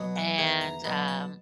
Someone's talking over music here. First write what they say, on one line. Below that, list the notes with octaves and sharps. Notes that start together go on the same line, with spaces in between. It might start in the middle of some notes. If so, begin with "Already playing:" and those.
and, um,
Already playing: B2 F#3
F#5
E2 G#5
A#5
B2 F#3 B5
A5